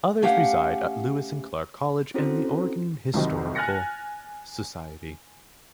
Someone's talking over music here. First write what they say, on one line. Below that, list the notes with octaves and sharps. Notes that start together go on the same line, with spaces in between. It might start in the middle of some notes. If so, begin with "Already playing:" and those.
Others reside at Lewis and Clark College and the Oregon Historical Society.
A3 C#4 G4 F5 F#5
C4 C#4 E4 F#4 A4 C5
C2 C3 D#3 F#3
G#5 F6 F#6 A6 A#6 C#7